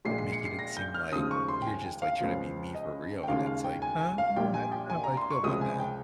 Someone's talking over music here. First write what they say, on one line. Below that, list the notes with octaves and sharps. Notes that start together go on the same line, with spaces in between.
making it seem like you're just, like, trying to be me for real. And it's like, Uh, I don't know how I feel about that.
A#1 A#2 G#3 C7
C7
C#7
C7
A#6
G6
F6
D#2 C#3 F3 G#3 D#6
C#6
C6
G5
G#5
G5
F5
C#2 C#3 F3
D#5
G5
D#2 C#3 G#3 F5
F5
G5
G#5
G#5
F5
A#1 A#2 G3 G5
G#5
G5
G#5
A#5
C6
C#6
C#2 C3 F3 G#3 D#6
G#5
G5